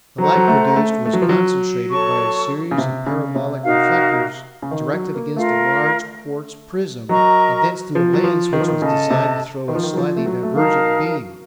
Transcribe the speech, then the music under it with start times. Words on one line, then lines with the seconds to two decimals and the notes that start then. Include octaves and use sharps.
The light produced was concentrated by a series of parabolic reflectors, directed against a large quartz prism, and thence through a lens which was designed to throw a slightly divergent beam.
0.18 F#3 A4 C5 F#5 A#5
0.36 F#3
0.48 A3
0.76 A3
1.05 A3
1.13 F#3
1.22 F3
1.29 F#3
1.91 A4 C#5 A5 C#6
2.71 C#3
2.78 C3
3.06 C#3
3.36 C3
3.63 D#4 F#4 A#4 F5
4.62 C#3
4.71 D#3
4.93 F#3
5.15 A#3
5.36 A3 F4 A#4 F5
7.08 F#3 A#4 D#5 A#5 C#6
7.95 F3
8.13 F#3
8.24 F3
8.53 D#3
8.60 F3
8.68 D#3
8.81 C#3 A4 D#5 A5
9.11 C3
9.68 D#3
9.75 F3
9.83 D#3
9.93 F#3
9.97 F3
10.16 A3
10.26 F#3
10.43 A3
10.55 F#3 D#4 A#4 F5 A5